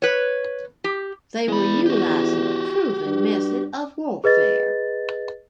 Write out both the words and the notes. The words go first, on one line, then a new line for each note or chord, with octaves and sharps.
They were utilizing a proven method of warfare.
B4 C#5
G4
E2 G#3 B5
F#4 G4
G2
G#4 B4 D#5 A6